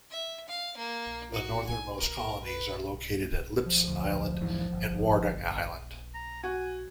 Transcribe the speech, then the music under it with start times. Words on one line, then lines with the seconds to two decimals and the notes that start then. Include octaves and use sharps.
The northernmost colonies are located at Lipson Island and Wardang Island.
0.10 E5
0.48 F5
0.77 A#3
1.34 F#4
1.67 G#5
1.98 A#4
2.44 B4
3.66 F3
3.88 D1 D2
4.41 D#2 G#2 E3
4.72 G1
6.14 A#5
6.44 F#4 G#5